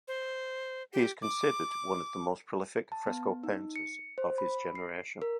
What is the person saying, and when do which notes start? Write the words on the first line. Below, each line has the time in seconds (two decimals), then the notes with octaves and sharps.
He is considered one of the most prolific fresco painters of his generation.
0.08 C5
0.93 G4
1.22 D6
2.92 A5
3.07 B3
3.44 D#4
3.76 C#7
4.18 C5
4.38 B5
4.75 C7
5.22 A#4